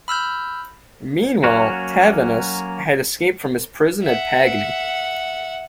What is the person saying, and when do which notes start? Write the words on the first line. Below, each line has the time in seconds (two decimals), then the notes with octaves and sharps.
Meanwhile, Tavannes had escaped from his prison at Pagny.
0.08 B5 E6 F6 G6
1.44 F#3 A#3 C#4 F#4
4.02 E5 F#5